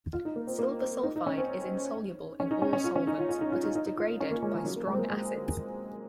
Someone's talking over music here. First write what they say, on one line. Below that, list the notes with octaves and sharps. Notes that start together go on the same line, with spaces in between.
Silver sulfide is insoluble in all solvents, but is degraded by strong acids.
F4
D#4
A#3
C4
A#3
C4
D#4
D#4
C#4
C4
C#4
D#4
C#4
C#4
F4
C#4
D#4
F4
F4
D#4
F4
D#4
D#4
D#4
F4
C#4
A#3
G#3
F3
F#3
A#3
G#3
C4
A#3
G#3